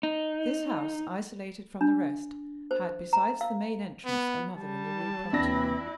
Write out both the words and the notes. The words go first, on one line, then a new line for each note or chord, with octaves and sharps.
This house, isolated from the rest, had, besides the main entrance, another in the Rue Ponthieu.
D#4
D4
C5
A#5
F5
B3
G3 A5
D#2 E3 C4 D4 E4 A#6